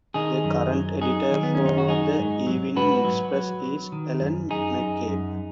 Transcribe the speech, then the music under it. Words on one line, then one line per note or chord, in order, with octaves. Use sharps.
The current editor for the Evening Express is Alan McCabe.
D#3 D#4 G#4
F#2
F#3
F#3 D#4 G#4
D#3
B3
C#4
F#2
D#4
F#4
F#3 D#4 G#4
G#2
F#3
G#2 F#4 B4
F#3
F#3
F#3
D#3
F#2
F#2 D#4 G#4
F#2
F#2